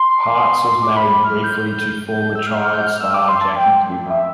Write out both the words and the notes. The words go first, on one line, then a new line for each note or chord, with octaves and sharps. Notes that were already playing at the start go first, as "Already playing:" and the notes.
Parks was married briefly to former child star Jackie Cooper.
Already playing: C6
D6
B5
F6
G6
E6
F6
F6
G6
F6
E6
D6
C6
A5
G5
E5